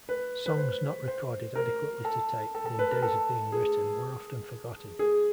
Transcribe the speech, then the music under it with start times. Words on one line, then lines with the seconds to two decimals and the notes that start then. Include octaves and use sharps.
Songs not recorded adequately to tape within days of being written were often forgotten.
0.09 B4
0.46 B4
0.57 C5
1.08 C5
1.55 A#4
2.05 A4
2.55 A4
2.66 A4
2.79 B4
2.91 A#4
3.02 A4
3.52 G#4
4.99 G#4